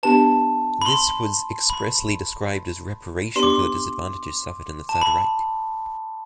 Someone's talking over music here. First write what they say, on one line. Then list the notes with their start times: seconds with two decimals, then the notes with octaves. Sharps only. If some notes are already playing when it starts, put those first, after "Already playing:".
This was expressly described as reparation for the disadvantages suffered in the Third Reich.
0.03 B3 D4 G4 B4 A5
0.82 B5
0.86 C6
1.70 B5
3.36 B3 D4 G4 B4 D5 C6
3.43 D6
3.50 C6
4.89 A5
5.02 B5